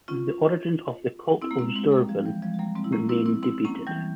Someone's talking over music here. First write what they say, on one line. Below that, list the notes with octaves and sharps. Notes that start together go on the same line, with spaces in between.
The origins of the cult of Zurvan remain debated.
C#4 F4
C4 E4
A#3
G#3 C4
G#3 C4
G3 A#3
F3 G#3
E3 G3
F3 G#3
G#3
G3 A#3
G#3 C4
E4
A#3 C#4
C4 E4
C4 E4
C4 E4
A#3 C#4
E3 G3